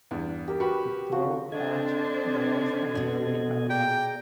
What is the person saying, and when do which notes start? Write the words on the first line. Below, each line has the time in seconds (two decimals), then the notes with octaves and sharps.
The throat patch, breast and belly are white.
0.11 E2 G2
0.48 G4 A#4 E6
0.60 F#4 G4 B4 B5
1.12 F3 C4 F#4
1.52 C4 D4 A4 C5 D#5 G#6
2.95 B2 F#4
3.70 G#4 D5 G5 A#5